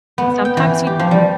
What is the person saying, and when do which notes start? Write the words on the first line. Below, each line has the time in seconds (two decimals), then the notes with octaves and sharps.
sometimes you
0.18 B3
0.45 G5
0.57 E3
0.87 G4
0.99 F3
1.11 G3